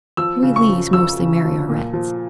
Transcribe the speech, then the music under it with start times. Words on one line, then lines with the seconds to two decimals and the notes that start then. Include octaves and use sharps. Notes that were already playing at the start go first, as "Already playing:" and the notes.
We Lees mostly marry Aurettes.
0.17 F3 E6
0.43 C#3
0.56 C#6
0.69 F3
0.93 F3 E6
1.19 C#3
1.44 F3
1.69 A#2
1.93 F3